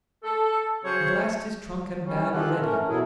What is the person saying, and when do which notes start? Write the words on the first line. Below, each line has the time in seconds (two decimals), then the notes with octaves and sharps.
At last his trunk and bag were ready.
0.23 A4
0.85 C#3 F#3 C5 C#5
2.04 G3 C#4
2.32 G#3 F4 G4 A4 F#5
2.60 E3 A3 C#4 A#4
2.88 B2 F#3 E4 G#4 A4